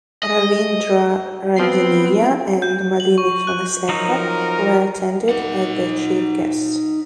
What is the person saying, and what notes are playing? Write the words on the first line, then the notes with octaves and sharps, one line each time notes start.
Ravindra Randeniya and Malini Fonseka were attended as the Chief Guests.
D#5
F3 B3 C4 C7
G6
F#7
C#6
F#6
F3 F#3 D#4 A#4
D#4 F#5